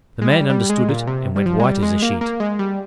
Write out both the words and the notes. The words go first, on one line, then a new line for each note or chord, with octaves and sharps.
The man understood it and went white as a sheet.
G#3
G3
G3
G#3
A#2
C3
G3
F3
G#3
G3
G#3
A#3
A#3
G#3
G3